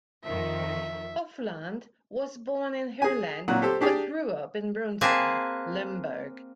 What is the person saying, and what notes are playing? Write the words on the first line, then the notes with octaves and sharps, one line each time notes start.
Hofland was born in Heerlen, but grew up in Brunssum, Limburg.
F2 D#3 F3 E5
G#4 G#5
A#2 F#3 F#5 F#6
G4 A4 C5
D4 G4 G#4 D5
A#3 C4 G#4 B4 G#5 A5